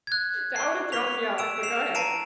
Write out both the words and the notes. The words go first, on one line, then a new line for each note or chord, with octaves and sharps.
That would have thrown me off, but go ahead.
F#6 G#6
C#6 C7
C#6 B6 F7
E6 D7 E7
C7 E7 F7
A5 A#5 C7 D7 E7